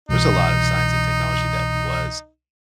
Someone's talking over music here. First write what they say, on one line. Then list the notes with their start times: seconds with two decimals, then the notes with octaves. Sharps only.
There's a lot of science and technology that was,
0.09 C2 B2 E3 D#4